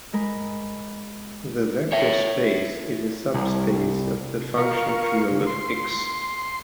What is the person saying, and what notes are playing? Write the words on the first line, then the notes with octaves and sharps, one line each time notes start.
The vector space is a subspace of the function field of X.
G#3 A#4 B5
C#5 E5
C2
F4 A#4 F5 C#6
C#3
C6